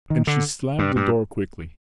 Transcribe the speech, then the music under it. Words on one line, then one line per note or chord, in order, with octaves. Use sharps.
And she slammed the door quickly.
D#3
D3
G2
G2